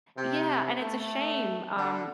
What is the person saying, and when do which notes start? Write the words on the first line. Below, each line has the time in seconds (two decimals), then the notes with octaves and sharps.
yeah, and it's a shame, um,
0.16 C3
0.81 A3
1.76 D3